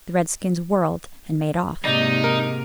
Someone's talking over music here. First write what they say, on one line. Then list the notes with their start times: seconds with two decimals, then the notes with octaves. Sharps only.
The redskins whirled and made off.
1.85 G#2 C3 A#3 D#4 D5
2.24 A#4